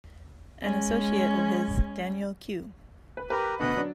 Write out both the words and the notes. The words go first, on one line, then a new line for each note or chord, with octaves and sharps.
An associate of his, Daniel Q.
G#3 C#4
B4
G4 A#4 B4
D2 B2 D3 B4 D#5 F#5
F#3 D4